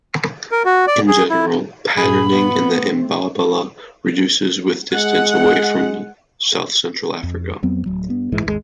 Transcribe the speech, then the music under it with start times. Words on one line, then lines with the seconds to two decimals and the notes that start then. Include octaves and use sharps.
In general, patterning in the imbabala reduces with distance away from south-central Africa.
0.51 A#4
0.65 F#4
0.87 D5
1.08 G#4
1.30 E4
1.97 G2 A#2 G#4 B5
2.31 B3
2.67 A3 C4
4.94 G#3 F#5
7.23 F2
7.63 F2 F#3 B3 C4
7.86 D1 F#3
8.08 G2 B3
8.32 A#1 G#2 E3 G#3
8.45 G#1 D#2 D3 G#3